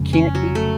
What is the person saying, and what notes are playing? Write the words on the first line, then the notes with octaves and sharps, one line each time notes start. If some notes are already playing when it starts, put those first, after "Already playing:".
can't eat
Already playing: F1 F2 C#3 G#3
C#4
F#3
A3